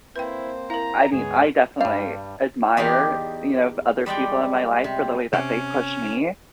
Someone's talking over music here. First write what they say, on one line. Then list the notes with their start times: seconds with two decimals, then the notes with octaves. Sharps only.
I mean, I definitely admire you know of other people in my life for the way that they push me
0.16 A#3 C4 E4 B4 C5 G5
0.70 E4 A#4 F5 A#5
1.12 D2 G#2 G#3 B3 G#4 C#5
1.81 G2 G3 F5
2.77 E2 D#4 G4 D5 F5
4.06 G3 G#3 D5 G5
4.84 C3
5.33 C3 C#4